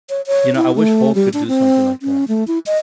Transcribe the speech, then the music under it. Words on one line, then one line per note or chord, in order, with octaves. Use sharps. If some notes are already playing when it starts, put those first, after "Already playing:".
You know, I wish Hulk could do something like that.
C#5
C#5
E4
A3
G3
D4
C4
C#4
A3
E4
D#5